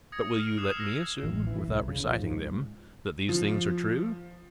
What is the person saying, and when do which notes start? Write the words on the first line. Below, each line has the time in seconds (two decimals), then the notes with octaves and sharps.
But will you let me assume, without reciting them, that these things are true?
0.12 D#6 G#6 A#6 C#7
0.33 F6
0.57 D#6 F#6 C7 E7 F7
0.77 E6 F#6 A#6 C7
1.23 A1
1.47 E3
1.68 C2
1.88 C#3
2.04 F3
2.17 G#2
3.29 F3